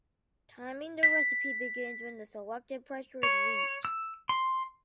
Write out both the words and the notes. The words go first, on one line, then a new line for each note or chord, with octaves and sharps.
Timing the recipe begins when the selected pressure is reached.
B6
C#5
E6
C6